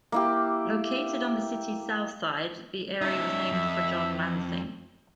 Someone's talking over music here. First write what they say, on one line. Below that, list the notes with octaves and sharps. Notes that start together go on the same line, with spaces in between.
Located on the city's south side, the area was named for John Lansing.
A#3 E4 G4
C#4 D#4 E5
F2